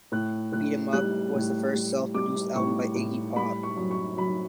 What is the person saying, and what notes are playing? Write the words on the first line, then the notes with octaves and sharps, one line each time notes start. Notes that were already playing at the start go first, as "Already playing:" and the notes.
"Beat 'Em Up" was the first self-produced album by Iggy Pop.
A2 F#6
A2 F#6
G3 F#6
A2
G3
G3 D6
A2 C#6
A2
G3 B5
C#6
F#2
C#6
F#2 B5